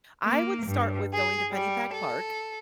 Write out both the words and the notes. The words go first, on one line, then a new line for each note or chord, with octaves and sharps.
I would start with going to Pennypack Park,
A#3
G2
G#4
G3
A4